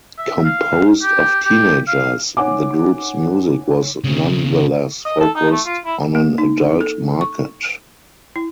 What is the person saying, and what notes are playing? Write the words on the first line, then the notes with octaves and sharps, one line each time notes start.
Composed of teenagers, the group's music was nonetheless focused on an adult market.
E5
F5
G4
G4
F5
D#4 C#5 F#5 G#5 D6
C#3 C4
D#5
A4
D#4
A3
F4
E4
A#3
D#4
A4
C#6
E4